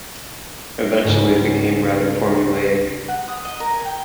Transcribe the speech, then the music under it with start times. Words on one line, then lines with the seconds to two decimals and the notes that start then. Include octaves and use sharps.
Eventually it became rather formulaic.
1.04 C#2 G#2
3.08 F#5
3.28 D#6
3.45 D#5
3.60 A#4
3.73 G#5
3.85 G5